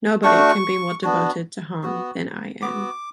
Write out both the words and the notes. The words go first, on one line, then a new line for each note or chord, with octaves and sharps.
Nobody can be more devoted to home than I am.
A3 D4 F#4 C#6
B3 D4 F#4
B3 F#4
B3 F#4 D6